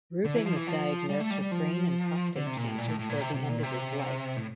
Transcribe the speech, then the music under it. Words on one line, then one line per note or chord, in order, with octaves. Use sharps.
Rubin was diagnosed with brain and prostate cancer toward the end of his life.
D3
E3
F3
E3
F3
G3
A3
G3
G3
F3
D3
C3
A#2
A2
A#2
A2
A2
A#2
C3
C3
A#2
C3
A2